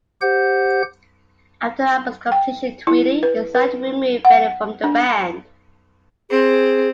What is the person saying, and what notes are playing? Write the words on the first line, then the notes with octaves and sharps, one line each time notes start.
After the album's completion, Tweedy decided to remove Bennett from the band.
G4 C5 F#5 G6
G5
E4
B4
B4
F#5
D4
C4 G#4